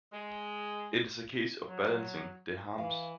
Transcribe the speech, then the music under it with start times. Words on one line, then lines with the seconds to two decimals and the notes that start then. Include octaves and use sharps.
It is a case of balancing the harms.
0.13 G#3
1.66 F#3
2.78 E3 F5